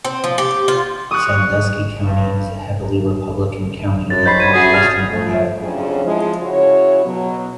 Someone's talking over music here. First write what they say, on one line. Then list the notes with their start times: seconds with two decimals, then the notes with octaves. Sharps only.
Sandusky County is a heavily Republican County in Northwestern Ohio.
0.05 C4
0.24 F3
0.38 G4
0.68 F4
1.11 C#6 D#6 F#6
2.03 G2
4.10 F#2 A6
4.26 G#2 C#5 B5 G6 B6 C7
4.40 G#6 D#7
4.54 A3 C#4 F#4 G#4
4.74 C3 F6 A6
5.09 F3 A3
5.62 F2 C#3 F#3 C4 D4 G#4
6.05 F3 G#3 E4
6.42 C#3 E4 F#4 C#5
7.04 B2 F#3